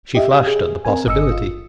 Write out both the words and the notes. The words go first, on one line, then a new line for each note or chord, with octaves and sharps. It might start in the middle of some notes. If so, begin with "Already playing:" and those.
She flushed at the possibility.
G4 D#5 E5
G#4
C4 A#4 G#5
G1 D#5 D#6 E6 C#7
F4